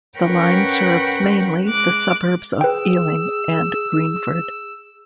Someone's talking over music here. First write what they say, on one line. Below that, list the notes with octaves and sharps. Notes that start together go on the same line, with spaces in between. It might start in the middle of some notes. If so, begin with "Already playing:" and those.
The line serves mainly the suburbs of Ealing and Greenford.
C#4 A#4 B4 F#5 G5 C#6
G#3 D6 F#6
G#4 B4 G5 E6